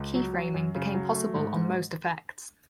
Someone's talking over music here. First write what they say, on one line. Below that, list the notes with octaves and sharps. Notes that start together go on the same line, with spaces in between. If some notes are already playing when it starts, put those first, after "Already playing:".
Keyframing became possible on most effects.
Already playing: C#2
F#3
F#3
F#2
C#3
F#3
A3
G#2
G#2